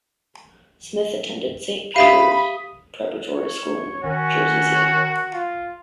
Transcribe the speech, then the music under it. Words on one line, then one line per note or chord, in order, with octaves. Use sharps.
Smith attended Saint Peter's Preparatory School in Jersey City.
G4 E5 F5 B5 D#6 B6 D#7
C#5
D#3 C#4 F#4
F4